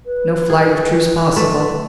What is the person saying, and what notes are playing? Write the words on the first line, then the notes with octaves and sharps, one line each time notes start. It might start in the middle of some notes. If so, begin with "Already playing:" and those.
No flag of truce possible.
B4
G#4
A3